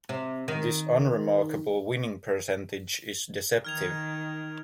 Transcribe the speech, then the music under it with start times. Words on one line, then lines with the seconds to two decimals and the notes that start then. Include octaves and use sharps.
This unremarkable winning percentage is deceptive.
0.09 C3
0.48 D#3
3.65 D#3 F6 G#6 F7